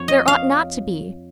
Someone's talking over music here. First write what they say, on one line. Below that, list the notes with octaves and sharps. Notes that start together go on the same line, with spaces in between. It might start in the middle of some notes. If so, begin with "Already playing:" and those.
There ought not to be.
Already playing: F2 C#5
D#5
F5